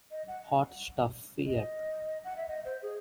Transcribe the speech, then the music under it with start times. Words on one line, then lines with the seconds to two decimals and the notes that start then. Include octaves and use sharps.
Hot Stuff feat.
0.11 D#5
0.28 F#5
1.46 D#5
2.24 F#5
2.37 E5
2.48 D#5
2.65 C5
2.82 G#4